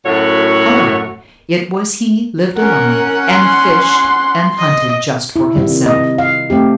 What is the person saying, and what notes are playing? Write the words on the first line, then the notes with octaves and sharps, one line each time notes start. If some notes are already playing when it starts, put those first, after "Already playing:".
However it was he lived alone, and fished and hunted just for himself.
F#2 A2 A3 F#4 C#5 F#5
C#4 A#4 F#5
C6
D#5
E4
C3 D#3 G3
C3 D#5
F5
A3 C4 G4